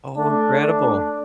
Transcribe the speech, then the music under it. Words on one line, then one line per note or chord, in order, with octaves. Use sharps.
Oh, incredible.
A3 D4